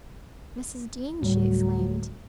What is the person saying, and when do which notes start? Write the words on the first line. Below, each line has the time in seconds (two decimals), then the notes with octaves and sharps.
Mrs. Dean!' she exclaimed.
1.22 D2 A2 F#3 G3 A3